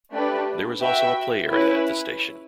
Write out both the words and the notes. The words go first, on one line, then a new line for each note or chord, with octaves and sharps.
There is also a play area at the station.
A3 D4 G4 B4
F#4 B4 E5 G5
C#4 E4 B4